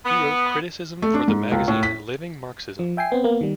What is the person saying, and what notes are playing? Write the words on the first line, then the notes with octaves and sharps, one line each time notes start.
He wrote criticism for the magazine "Living Marxism".
B3
A3
D4
G#2
C#2
A2
B6
F3
E5 G5 G#5 C7
B3 C4
A#3 B3
D#3 G3